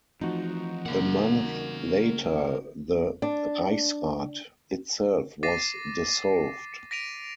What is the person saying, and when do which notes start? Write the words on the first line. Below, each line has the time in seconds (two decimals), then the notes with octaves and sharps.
A month later, the "Reichsrat" itself was dissolved.
0.21 E3 F3 A3 C4 D#4 F#4
0.86 C#3 A#3 A#4 F#5
3.22 D4
5.43 D6 A6 A#6 C7 D#7
6.91 A#6 B6 D7 D#7 F7